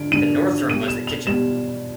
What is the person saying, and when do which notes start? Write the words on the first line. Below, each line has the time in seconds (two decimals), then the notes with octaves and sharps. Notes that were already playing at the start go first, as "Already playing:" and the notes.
The North room was the kitchen.
Already playing: D3 D7
0.12 D3 G3 D#7
0.69 B2 G3 D#7
0.88 E7
1.07 F7
1.27 B2 G3 E7